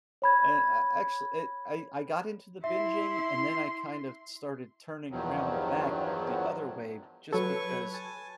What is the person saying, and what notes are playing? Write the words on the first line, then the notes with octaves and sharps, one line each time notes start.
And I I actually, it I I got into the binging, and then I kind of started turning around back the other way just because
C#5 B5 G#6
E4 E5 C6
E2 G2 D#3 F3 F#3
F#3 A4 B4 C#5 C#6
G#5 A5